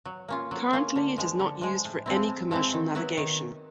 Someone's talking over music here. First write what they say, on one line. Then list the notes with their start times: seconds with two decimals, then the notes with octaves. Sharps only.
Currently, it is not used for any commercial navigation.
0.05 F#3
0.28 A#3 C#4 F4
0.51 F#3
0.73 A#3 C#4 F4
0.96 D3
1.18 F3 G#3
1.39 D3
1.61 F3 G#3
1.85 A2
2.06 F3 G#3 C4 E4
2.28 A2
2.51 F3 G#3 C4 E4
2.74 D#3
2.95 F#3 B3 E4
3.17 D#3